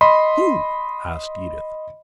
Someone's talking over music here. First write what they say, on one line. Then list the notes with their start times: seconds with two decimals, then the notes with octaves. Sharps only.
"Who?" asked Edith.
0.01 D#5 B5 C6